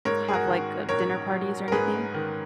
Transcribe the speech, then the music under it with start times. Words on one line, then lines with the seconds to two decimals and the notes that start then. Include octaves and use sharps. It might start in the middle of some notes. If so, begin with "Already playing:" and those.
have, like, a dinner parties or anything?
0.05 G#2 A#4 C#5
0.28 G#4
0.33 F#4 A#4
0.47 D#3
0.89 A#1 A#4 C#5
1.31 F#3
1.68 A#4
1.72 G#2 G#4 B4
2.14 D#3